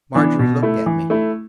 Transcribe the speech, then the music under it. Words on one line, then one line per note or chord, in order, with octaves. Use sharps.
Margery looked at me.
E3 B3 D4
B2
A3 E4
E3
A3 E4